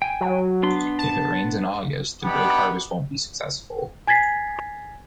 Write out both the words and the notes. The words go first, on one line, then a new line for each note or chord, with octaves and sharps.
If it rains in August, the grape harvest won’t be successful.
G5 G#5
F#3
B3 D4 C6
A5
B3 D4 D#4 G4 F#5 B5
G#5 G#6 A6 B6 C7